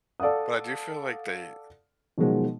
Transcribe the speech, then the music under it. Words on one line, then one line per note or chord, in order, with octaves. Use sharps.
But I do feel, like, they
A4 D5 F5 F#5 D#6
B2 D#3 F3 F#3 G#3